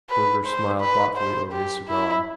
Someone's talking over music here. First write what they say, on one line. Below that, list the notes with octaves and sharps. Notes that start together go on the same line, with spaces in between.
Burger smiled thoughtfully over his cigar.
B4
C5
B4
C5
G4
E4